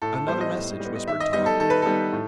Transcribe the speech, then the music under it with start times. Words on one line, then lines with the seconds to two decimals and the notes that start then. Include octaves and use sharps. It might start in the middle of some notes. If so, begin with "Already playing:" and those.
"Another message," whispered Tom.
0.02 A2 A4
0.15 A4
0.28 G3 B3 C5
0.41 D#5
0.54 A2
0.80 G3
0.85 B3
0.95 D#5
1.07 D#3 E5
1.20 D#5
1.33 G3 B3 D#4 D#5
1.46 A4
1.60 D#3 A4
1.70 B4
1.82 G3 B3 D#4 A4
2.13 A2